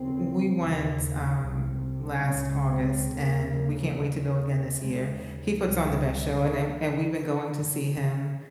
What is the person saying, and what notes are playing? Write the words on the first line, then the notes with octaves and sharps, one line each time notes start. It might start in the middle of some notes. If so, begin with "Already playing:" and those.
We went, um, last August, and we can't wait to go again this year. He puts on the best show, and and and we've been going to see him,
Already playing: D#2 C#3 C4
D#2 C#3
C2 C3
C#2 C#3 C#4
C4
D#2 C#3 A#3
D#2 C#3
D#2 C#3 G#3
C#2 C3 G3